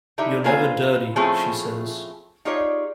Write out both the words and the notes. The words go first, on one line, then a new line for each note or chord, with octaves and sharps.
"You're never dirty," she says.
D3 D#4 E4 G4 E5
A#3 C4 F4 B4 C5 G#5
F3 A3 C4 C#4 E4 G#4
D#4 F4 G4 G#4 C#5 D5